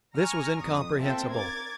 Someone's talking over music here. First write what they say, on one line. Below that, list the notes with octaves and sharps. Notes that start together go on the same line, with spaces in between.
This was incomprehensible.
G#5 A#5 C#6 F6
F2 D#6
C4 F4 A4 E5 G5 A5
A#4 D6 G#6 A6